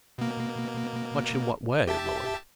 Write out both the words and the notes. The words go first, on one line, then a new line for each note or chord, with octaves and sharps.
"Much in what way, Lily?"
B2 A#3
G4 E5 A5